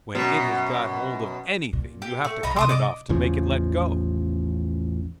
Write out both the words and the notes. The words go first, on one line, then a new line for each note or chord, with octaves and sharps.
When it has got hold of anything you have to cut it off to make it let go!
F#2 B2
A#2
G4
A3
A#1 D#5 A#5 B5
C3 C6 D6 D#6
D5 D#5 D6
A1 E2 C#3 F3